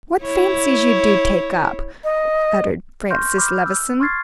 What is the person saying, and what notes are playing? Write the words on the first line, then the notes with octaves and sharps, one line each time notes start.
"What fancies you do take up!" uttered Francis Levison.
E4 C#5
D#5
C6 C#6 F6 G6 A#6
B5 D6 F6 G6
E6
C6 C#6 F6 G#6 A6 C7